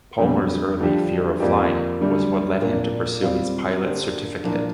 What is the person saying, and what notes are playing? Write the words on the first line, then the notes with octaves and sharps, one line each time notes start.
Palmer's early "fear of flying" was what led him to pursue his pilot certificate.
F2 D3 G3
G2 D3 F3 D4 G4
F2 F3 A#3 G4 D5
D2 D3 G3 D4
A#2 A#3 D4
G3 C4 F4 D5 F5
D3 A#3 D4 G4 C5
C2 A#2 F3 D4 A#4